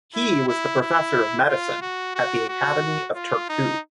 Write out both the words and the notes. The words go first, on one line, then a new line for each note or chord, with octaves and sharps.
He was the professor of medicine at the Academy of Turku.
E4
E4
E4
F4
F#4
F#4
F#4
F4
D#4